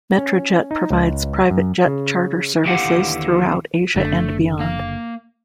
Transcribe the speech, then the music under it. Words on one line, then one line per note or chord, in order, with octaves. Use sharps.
Metrojet provides private jet charter services throughout Asia and beyond.
C#4
D#4
C#2
F#2
C#3
D#2 D3 E3 G4 F5 F#5
F#1 D3 A3
A#3 F5